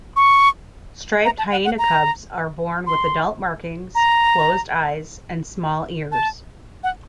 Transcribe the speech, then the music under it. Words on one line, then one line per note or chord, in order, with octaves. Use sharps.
Striped hyena cubs are born with adult markings, closed eyes and small ears.
C#6
A#5
A5
F#5
F#5
A#5
C6
A#5
A5
F#5